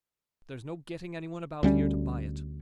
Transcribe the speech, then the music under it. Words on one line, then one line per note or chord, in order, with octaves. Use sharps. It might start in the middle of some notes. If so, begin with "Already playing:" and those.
There's no getting any one about here to buy it.
D2 G3 C#4